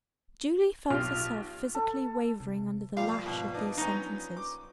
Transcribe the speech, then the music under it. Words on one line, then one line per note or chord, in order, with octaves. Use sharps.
Julie felt herself physically wavering under the lash of these sentences.
B1 F4 G4 G5 F6
A4
C3
A#2 F3 G3 F5
G#1 B2
B3 D4 D#4
F#3 B3 C#4 D#4
D6